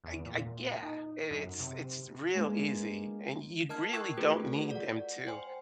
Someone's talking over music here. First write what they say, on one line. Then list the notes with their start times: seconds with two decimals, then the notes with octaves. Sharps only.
I g I g Yeah, it it's it's real easy, and you really don't need them to
0.04 E2
0.26 A#2
0.83 D#4
1.31 F#2
1.59 C3
2.35 G#3 A#3 B3 D4
3.69 A#4 D#5 A5 F6 G#6
3.93 G5 C#6 D6 E6 F#6 G#6
4.17 A3 F4 F#4 G#4 A4 B4
4.71 D5 F#5
5.27 C5 G5 G#5 C6